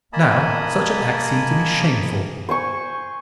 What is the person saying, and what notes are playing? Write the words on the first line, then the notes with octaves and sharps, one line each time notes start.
Now, such an act seemed to me shameful.
A#3 D#5 G#5 A5 B5 D#6
C5 G#5 C#6